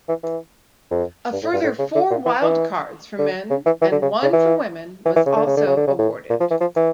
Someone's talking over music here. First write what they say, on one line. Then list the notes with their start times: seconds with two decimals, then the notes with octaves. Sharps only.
A further four wildcards for men and one for women was also awarded.
0.09 E3
0.23 E3
0.91 F2
1.33 G2
1.43 A2
1.53 G2
1.64 A2
1.79 C#3
1.95 D3
2.10 A#2
2.26 E3
2.42 E3
3.19 D3
3.50 C#3
3.66 E3
3.81 E3
3.92 D3
4.02 C#3
4.23 C#3
4.33 E3
5.06 E3
5.16 E3
5.26 C#3
5.36 D3
5.47 C#3
5.57 D3
5.67 C#3
5.77 D3
5.87 C#3
5.99 A2
6.30 A#2
6.40 F3
6.51 E3
6.61 F3
6.76 E3